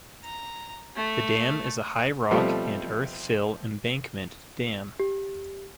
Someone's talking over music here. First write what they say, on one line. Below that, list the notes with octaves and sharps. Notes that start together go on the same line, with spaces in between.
The dam is a high rock and earth-fill embankment dam.
A#5
A3
B2 F3 G3 A3 C4
G4